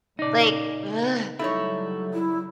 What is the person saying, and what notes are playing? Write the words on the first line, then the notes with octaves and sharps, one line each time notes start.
Like, ugh!
A#2 C#3 D#4 D5
C#3 F#3 G3 A3 D#4 E4 C#5
E4